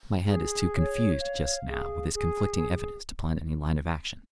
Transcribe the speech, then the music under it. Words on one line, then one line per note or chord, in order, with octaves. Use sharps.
My head is too confused just now with this conflicting evidence to plan any line of action.
G#4
C#5
F5
G#4
G#4